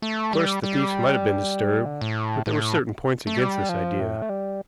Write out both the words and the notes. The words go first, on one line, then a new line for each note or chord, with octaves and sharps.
Of course the thieves might have been disturbed, but there were certain points against this idea.
A3
G3
G3
D3
A2
A2
A3
G3
F3
A2
A3
G3